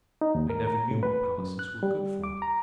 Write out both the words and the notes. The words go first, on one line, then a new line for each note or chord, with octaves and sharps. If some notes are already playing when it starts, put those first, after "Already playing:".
I never knew what palaces were good for.
D#4
D#2
A#4
A#5
A2
B4
F#2
F#6
G3
D6
A#5